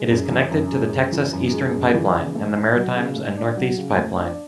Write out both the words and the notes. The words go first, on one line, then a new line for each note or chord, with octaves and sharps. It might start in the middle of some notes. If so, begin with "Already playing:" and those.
It is connected to the Texas Eastern Pipeline and the Maritimes and Northeast Pipeline.
Already playing: G#3
F#2
E3
F#2
G#3
F#2
E3
F#2
G#3
F#2
E3
C#3
A3
D4
F#3
C#3
A3
D4
F#3
C#3
A3
D4